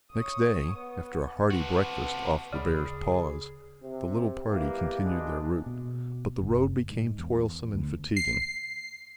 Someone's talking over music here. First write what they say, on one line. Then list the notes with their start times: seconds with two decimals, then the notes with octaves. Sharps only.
Next day, after a hearty breakfast off the bear's paws, the little party continued their route; but the road became toilsome and fatiguing.
0.13 C#5 D#6
0.75 B3
1.50 C3 F#4 B4 A5
2.53 D2 C#3 G#4 D5 B5
3.82 C3
4.49 G3 A#3 B3 E4 G4
5.02 C#3 E3 F#3 G#3 B3 D4
5.66 B2
6.41 F#1
6.91 G#2
7.18 E2
7.73 D2
8.16 C7